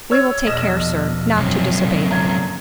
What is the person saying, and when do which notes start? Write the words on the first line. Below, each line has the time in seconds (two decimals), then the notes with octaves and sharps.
"We will take care, Sir, not to disobey them."
0.11 C#5 E6 G#6
0.46 A#1 E2 B2 F3 D#5 E7
1.35 F#2 C3
1.76 A#1 D3 A#3
2.11 A#5 G#6